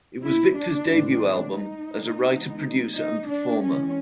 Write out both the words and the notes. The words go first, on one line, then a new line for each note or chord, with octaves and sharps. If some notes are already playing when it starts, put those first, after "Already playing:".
It was Victor's debut album as a writer, producer and performer.
E4
D4
A2 E3 G#3 C4 D4
D#4
E3 G#3 B3
D#4
D4
E3 G#3 C4 C#4